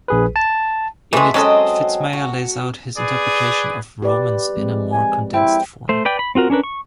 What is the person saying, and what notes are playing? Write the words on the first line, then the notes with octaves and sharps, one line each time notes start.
In it Fitzmyer lays out his interpretation of Romans in a more condensed form.
A#1 G#4 B4
A5
E3 G#3 A3 F#4
F#3 G#3 C4 C#4 A4 D#5
F#4
G#4 B4 D5
G4 B4 D5
F3 G#3 C4
G#5
E4 C5 G5
A3 C5
B4 D5 G5
B5
C4 F4 F#4 A#4
C#4 D4 A#4 B4
C#6